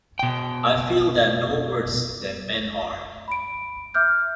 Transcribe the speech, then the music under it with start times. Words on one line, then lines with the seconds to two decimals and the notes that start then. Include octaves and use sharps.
I feel they're no worse than men are.
0.19 B2 G5
3.28 B5 D7
3.94 E5 D6 F6 G6